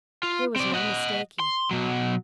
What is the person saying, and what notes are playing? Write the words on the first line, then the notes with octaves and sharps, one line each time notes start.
There was no mistaking.
F4
C4 D5
D#5 F#5
C6
B2 F#3